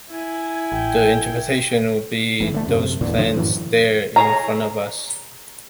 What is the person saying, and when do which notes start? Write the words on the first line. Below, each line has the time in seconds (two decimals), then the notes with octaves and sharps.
The interpretation would be "those plants there, in front of us".
0.10 E4 G#5
0.72 A1 G5
2.40 G1 G#2 E3
2.52 D3 F3 A3
2.67 F#2 C3
3.01 G#1 E2 A#2 D3
3.18 F2 D3 F3 D4
3.35 F#2 A2 E3 F#3
4.16 G#4 C#5 A#5